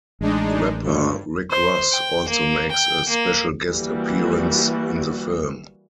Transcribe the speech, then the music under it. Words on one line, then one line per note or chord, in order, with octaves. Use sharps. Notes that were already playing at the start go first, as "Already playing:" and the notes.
Rapper Rick Ross also makes a special guest appearance in the film.
A1 G#3 D4 D#4
D2 G2
C5
G5
A#3
G5
A#3
E3 G3 A#3 F#4